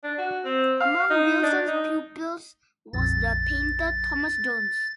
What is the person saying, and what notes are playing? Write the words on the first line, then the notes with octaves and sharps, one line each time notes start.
Among Wilson's pupils was the painter Thomas Jones.
D4
F#4
C4
F5
D#4
D4
D#4
A#1 F2 A6